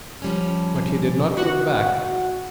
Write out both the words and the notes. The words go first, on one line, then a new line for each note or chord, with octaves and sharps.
But he did not look back.
F3 G3 C#4
F#4 E5 F#5